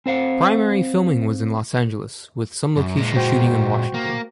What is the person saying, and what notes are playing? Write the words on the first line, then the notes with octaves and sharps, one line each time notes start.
Primary filming was in Los Angeles, with some location shooting in Washington.
C4 C5 F5 F#5
F#2
A#2 G#3
F#4 C5 G5
A#3